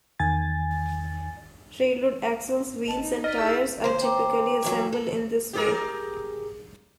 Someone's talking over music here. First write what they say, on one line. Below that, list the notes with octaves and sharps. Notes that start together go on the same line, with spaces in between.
Railroad axles, wheels, and tires are typically assembled in this way.
E2 D#3 G#5 A6
D#5 A5
D#4
D5 D#5 F6 A6 B6
E4 G#4 E6 G6 B6
D#2 C5
G5 A#5 D6
A2 E3 F#3
A4
G4 G#4 A#4